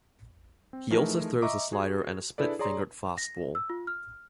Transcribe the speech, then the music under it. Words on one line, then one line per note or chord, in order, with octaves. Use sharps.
He also throws a slider and a split-fingered fastball.
C4
E3 F3 A3 D#4 G#4 A#4
D#5 E5 A#5 C#6 D6
F#4 G#4
D4 E4 G#4 A4 B4 D5
G#4 C#5 D5 A#5 C6
A#6
E6
F4
F6